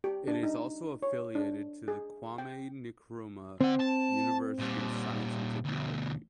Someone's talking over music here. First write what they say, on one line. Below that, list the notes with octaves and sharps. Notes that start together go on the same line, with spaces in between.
It is also affiliated to the Kwame Nkrumah University of Science and Technology.
G4
D4
D#4
C#5
D4
G#4
G5
D3 C4 F#5
A5
A#2 G3
D2 B2